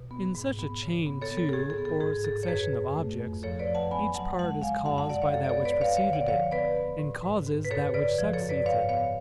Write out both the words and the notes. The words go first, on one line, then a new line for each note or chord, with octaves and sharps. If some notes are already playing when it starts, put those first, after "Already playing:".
In such a chain, too, or succession of objects, each part is caused by that which preceded it, and causes that which succeeds it.
Already playing: B2
B3
G#2
B3
C#3
B3
A4 C#5
B3
A4
A4
A2 G#4
A4
B3
A4
G#2 G#4
G#2 A4
C#5
F#2 G#4 B4
F#2
A3
F2
F3 A4 C#5
B4 D5
F3
F#5 A5
B3 G#5 B5
F#3 F#5 A5
G#3 F#5 A5
C#3 F5 G#5
F#2 F#5 A5
F#5 A5
F#2 D5 F#5
C#5 F5
F#2 A4
D5
A4 C#5
B3
B4 D5
D2 C#5 F5
C#5 F5
D3
D5 F#5
F3 C#5 F5
B3 B4 D5
B3
A2
G#2
G#2
B4
F#2 A4 C#5
C#3 B4 D5
F3
A4 C#5
F#2
B4 D5
G#2 C#5 F5
B3 C#5 F5